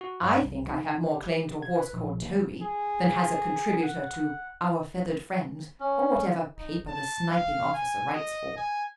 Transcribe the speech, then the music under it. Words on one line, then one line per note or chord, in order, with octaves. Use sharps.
I think I have more claim to a horse called Toby than has a contributor to "Our Feathered Friends" or whatever paper the Sniping Officer writes for.
F#4
G2
C2
D#4
G4
G#6
B4
A#1
D#2
G#4
F#5
C#4
D#4
A5
F5
G#5
D#5
G#5